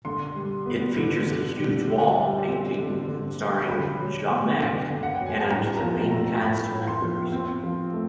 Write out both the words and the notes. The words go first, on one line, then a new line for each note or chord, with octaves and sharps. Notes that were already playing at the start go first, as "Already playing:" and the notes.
It features a huge wall painting starring Jommeke and the main cast members.
D3 C6
G3
B3
D3
D3
G3
D3
G3
C4
D3
D3
G3
D3 B5
F#3
B3
D3
D3
F#5
G5
F#3
G#5
A5
A2 A#5
A#5
F3 A5
A3 A#5
A2 B5
A2
C6
F3
C4
F3
A3